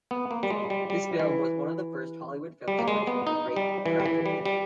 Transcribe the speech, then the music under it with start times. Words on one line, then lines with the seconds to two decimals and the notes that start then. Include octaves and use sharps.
This film was one of the first Hollywood films to portray rape graphically.
0.11 B3
0.31 A#3
0.43 G3
0.50 G#3
0.70 G3
0.90 G3
1.19 E3
2.68 G3
2.79 A#3
2.88 G#3
3.07 B3
3.27 D#4
3.56 G3
3.86 E3
4.00 G3
4.06 E3
4.26 G3
4.46 G3